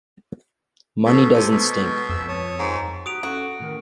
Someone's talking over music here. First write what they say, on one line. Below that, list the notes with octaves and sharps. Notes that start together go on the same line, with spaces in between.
Money doesn’t stink.
B2 A4
C3
B2 G#3 B3
F2 E6
C#5 A5 D#6
G#2
F#4 G4 D#6 D7 F7
C#4 F#4 A4
A2 D#3 A#4